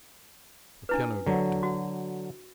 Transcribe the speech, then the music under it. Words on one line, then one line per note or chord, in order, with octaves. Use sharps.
The "Piano Doctor."
D4 E4 B4
D3 F#3
F#4